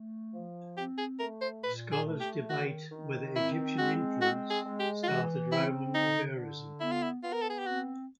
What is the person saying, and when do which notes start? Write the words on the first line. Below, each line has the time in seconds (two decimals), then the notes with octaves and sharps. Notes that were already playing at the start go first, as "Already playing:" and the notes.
Scholars debate whether Egyptian influence started Roman verism.
Already playing: A3
0.33 F3
0.76 C4 G4
0.98 G#4
1.19 A3 A#4
1.41 C5
1.64 A#2 B4
1.92 G#4
2.06 A3
2.20 G4
2.49 D#3 F#4
2.92 D#3
3.35 C4 E4
3.78 G#3 F#4
4.21 C4 F#4
4.50 G#4
4.65 G#3
4.80 G4
5.03 F4
5.07 E3 F#4
5.52 C4 E4
5.94 D3 D#4
6.37 D3
6.80 B3 E4
6.92 F4
7.03 E4
7.23 B3 F4
7.33 A#4
7.42 A4
7.49 G#4
7.59 G4
7.66 C4 F#4